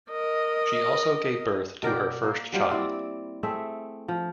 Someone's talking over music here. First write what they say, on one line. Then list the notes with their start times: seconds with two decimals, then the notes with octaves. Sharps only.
She also gave birth to her first child.
0.11 A#4 D#5
1.83 B2 A#4 D5 G5
2.23 A#3
2.52 F#3 G3 F4 C5
2.71 C4 E4 D5
3.43 A3 C4 G#4 E5
4.08 F3